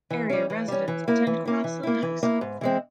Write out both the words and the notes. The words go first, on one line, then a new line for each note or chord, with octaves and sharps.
Area residents attend Crossland High School.
E3
G3 C#4
E3
G3 C#4
E3
A#3 E4
E3
A#3 E4
E3
A#3 E4
E3
A#3 E4
G#2
E3 G#3 C4